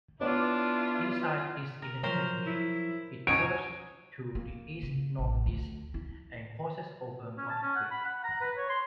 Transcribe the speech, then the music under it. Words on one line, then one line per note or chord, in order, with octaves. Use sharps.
Inside this interchange, it curves to the east-northeast and crosses over Mud Creek.
B3 D4 E4 F4 C#5 D6
A#4
F3 F#3 A#4 C5 C#5
E4
C2 D#4 C#5 F#5 G#5 D7
A#3
C#3
A1
D2
E4
C#4
A5
C#4
F#5
B5
F#5
A#5
B4
C#5
C6